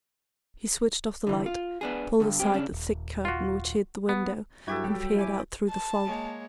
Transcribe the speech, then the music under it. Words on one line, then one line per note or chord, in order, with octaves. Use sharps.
He switched off the light, pulled aside the thick curtain which hid the window, and peered out through the fog.
D3 E3
F4
B3 D4 G#4
G2 D3
G#3 C4 G4
C#3 C#4 D4
D#1
F4 F#4
B3
G2 F#3 E4 F#4 G4 A4 G#6
G3 G5
E4 G#5 D6
A5
G#3 A#3 C#5